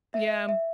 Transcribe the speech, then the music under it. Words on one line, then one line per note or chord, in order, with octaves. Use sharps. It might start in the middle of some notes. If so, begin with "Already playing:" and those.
Yeah, um
E5
E5